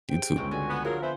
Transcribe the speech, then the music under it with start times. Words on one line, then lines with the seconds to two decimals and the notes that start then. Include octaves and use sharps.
You, too.
0.10 G4 G#4 C5 G5
0.36 G1 C#2 G#3 C4 C#4
0.51 D3 F#4 G#5
0.69 B3
0.85 F3 F#3 G#4 A#4
1.02 B3 C5 E5 G#5